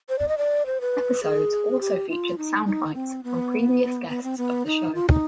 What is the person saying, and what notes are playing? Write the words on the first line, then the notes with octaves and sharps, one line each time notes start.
The episodes also featured soundbites from previous guests of the show.
C5
D5
D#5
D5
C5
B4
G#4
G4
F4
D#4
D#4
C4
B3
B3
C4
B3
D#4
F4
D#4